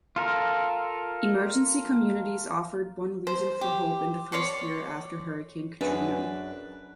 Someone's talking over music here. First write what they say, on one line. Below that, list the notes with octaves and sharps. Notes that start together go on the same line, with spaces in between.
Emergency Communities offered one reason for hope in the first year after Hurricane Katrina.
F4 A4 A#4
C5
G4
C#5 D5 C6 C#6
F#2 D4 G#4 B4